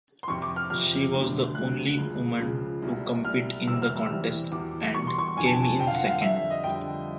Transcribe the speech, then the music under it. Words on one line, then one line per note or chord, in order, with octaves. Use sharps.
She was the only woman to compete in the contest and came in second.
C6
F2 C3 F3 C#6
D6
F6
F2 C3 F3 F6
D2 D3 F#3
D2 D3 F#3 F#6
C#2 C#3 F3
C#2 C#3 F3
C2 B2 G3
C2 B2 G3 F6
E2 C3 E3 G3 E6
F6
E6
E2 C3 E3 G3
E2 B2 G3 D6
E2 B2 G3 C#6
C6
C#6
F2 D3 F3 G#5
A5
G#5
F2 D3 F3 G5
F5
F#5
F5
F2 D3 G3 E5
E5
D#5
F2 D3 G3 G5